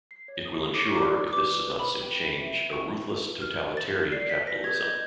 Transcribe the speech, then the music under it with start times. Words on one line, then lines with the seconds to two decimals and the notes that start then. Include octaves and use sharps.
It will ensure, if this does not soon change, a ruthless totalitarian capitalism.
0.11 C7
0.28 C#5
0.45 D#6
0.63 A4 D#6
0.74 D6
0.85 C#6
0.96 D5 D6
1.27 D#6
1.33 B4 D6
1.67 B4
1.79 B5
2.03 G5
2.38 E5
2.72 G5 C#6
3.07 B4
3.42 A#4 F6
3.77 A#4 A6
4.12 D5 C7
4.29 B6
4.47 B4 A#6
4.64 G#6
4.74 G6
4.82 D#5 G#6